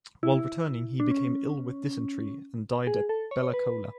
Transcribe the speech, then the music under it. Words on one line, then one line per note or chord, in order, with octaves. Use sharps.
While returning, he became ill with dysentery and died at Bella Coola.
E4
D4
C#4
G#4
A4
C#5
B4